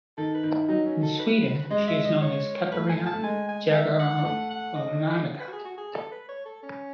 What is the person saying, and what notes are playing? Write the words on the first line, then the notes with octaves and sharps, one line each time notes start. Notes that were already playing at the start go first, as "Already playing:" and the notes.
In Sweden, she is known as "Katarina Jagellonica".
D#3 A4
B4
D#3
E4
F#3 D#4
C#4
A4
B4
G#3 D#5
E5
D#5
C#5
A3 B4
G#5
A5
A3
G#3 G#5
G#5
E5
F#5
A3 F#5
F#5
D#5
B4
F#4
G#4
F#4
G#4
A4
B4
C#5
A4
C#4